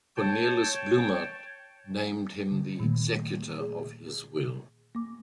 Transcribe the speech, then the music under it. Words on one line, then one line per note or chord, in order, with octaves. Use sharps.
Cornelis Bloemaert named him the executor of his will.
C#5 G5 A5
D3
A#2 D#3 G3 A3 A#3
G#4
A#3 D6